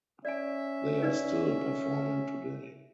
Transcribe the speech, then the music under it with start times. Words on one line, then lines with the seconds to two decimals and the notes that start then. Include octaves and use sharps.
They are still performing today.
0.25 C#4 D5 E5 G#5
1.02 D#4 B4 D5